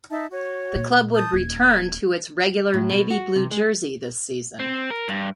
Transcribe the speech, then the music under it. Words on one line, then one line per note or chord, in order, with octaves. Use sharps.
The club would return to its regular navy blue jersey this season.
D#4 E5 A5
F#4 C#5
A#2
A5 D#6 G6
D#1 G#6
A2
B2
F#4
C3
G#3
C4
A#4
G2